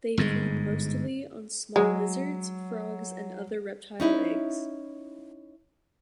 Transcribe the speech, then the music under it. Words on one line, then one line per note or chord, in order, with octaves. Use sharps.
They feed mostly on small lizards, frogs, and other reptile eggs.
G1 G#2 C#3 G#3
F#3 G#3
C#4 D#4 E4